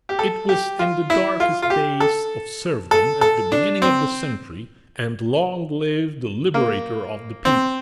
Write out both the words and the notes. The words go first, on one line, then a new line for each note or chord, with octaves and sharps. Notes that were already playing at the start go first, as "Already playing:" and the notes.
It was in the darkest days of serfdom at the beginning of the century, and long live the Liberator of the People!
G4
A4
G4
F4
E4
F4
F4
G4
A4
A4
A4
D4
C4
A#3
C4